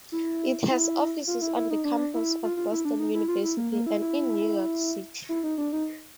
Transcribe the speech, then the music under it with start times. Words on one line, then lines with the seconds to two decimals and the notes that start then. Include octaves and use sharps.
It has offices on the campus of Boston University and in New York City.
0.12 E4
0.70 E4
1.27 F4
1.42 E4
1.57 E4
1.71 D#4
1.84 D4
2.14 E4
2.43 F4
2.57 F4
2.72 E4
2.85 D4
2.99 D#4
3.14 E4
3.28 F4
3.43 E4
3.57 A#3
3.72 A#3
3.86 E4
4.01 E4
5.29 E4
5.44 D#4
5.58 D4
5.73 D#4